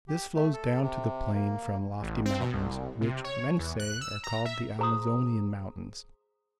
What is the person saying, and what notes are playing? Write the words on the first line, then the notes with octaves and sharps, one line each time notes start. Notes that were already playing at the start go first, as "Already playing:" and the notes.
This flows down to the plain from lofty mountains, which, men say, are called the Amazonian mountains.
G4
A3
A4
C3
A#3
A1
C4
B2
C2
C3
C#5
E2
F#6
E6
A#5
E5
G#4 C5 A#5 C6 D#6